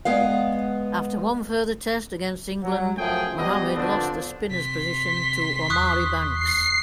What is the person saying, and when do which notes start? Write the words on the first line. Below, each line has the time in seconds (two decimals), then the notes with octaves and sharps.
After one further Test against England Mohammad lost the spinner's position to Omari Banks.
0.05 G#3 B3 F5
2.63 F#3
2.98 F#2 F3 A3 G#4 G5
3.38 B2 G3 B3 G#4 D#5
3.74 D3 F3 B3 C4 D4
4.51 C3 C6 B6
5.70 E2 C#6 D#6 F#6
6.33 C7